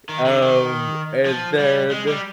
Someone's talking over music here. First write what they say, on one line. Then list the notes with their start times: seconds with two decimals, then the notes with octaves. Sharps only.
Um, and then
0.09 D#3
0.26 D3
0.42 D#3
1.25 F3
1.59 G3
1.91 G#3
2.08 G3